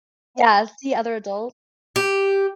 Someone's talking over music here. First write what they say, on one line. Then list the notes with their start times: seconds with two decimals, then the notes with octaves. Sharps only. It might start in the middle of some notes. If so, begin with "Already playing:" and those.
yeah, see other adults.
1.96 G4